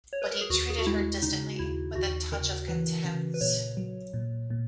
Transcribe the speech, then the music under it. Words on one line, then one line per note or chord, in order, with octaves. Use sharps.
But he treated her distantly, with a touch of contempt.
C#5
B4
A#4
G#4
D#2 F#4
G#4
F#4
G#3 E4
C#3 D#4
D#2 E4
D#2 F#4
C#3 A#4
E3 B4
C#3
B4
A#2 C#5
F#3
A#2
A#2